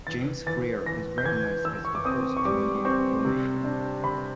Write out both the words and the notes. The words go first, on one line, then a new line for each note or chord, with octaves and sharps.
James Freer is recognized as the first Canadian filmmaker.
E3 A6
E3 A6
E3 A#6
G6
E3 G#6
E3 E6
C#6
D6
C4 D#6
C#6
G3 D6
C4 C#6
C3
D4
C3 B5